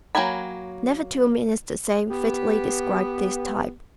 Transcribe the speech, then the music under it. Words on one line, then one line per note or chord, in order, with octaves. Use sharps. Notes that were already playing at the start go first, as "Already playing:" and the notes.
"Never two minutes the same" fitly describes this type.
F#3 A#3 G5 G#5 B5
B3 G4